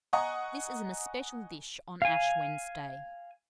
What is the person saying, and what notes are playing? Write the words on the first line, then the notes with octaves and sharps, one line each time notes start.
This is an especial dish on Ash Wednesday.
D#5 F#5 G#5 A#5 C#6 D#6
F5 G#5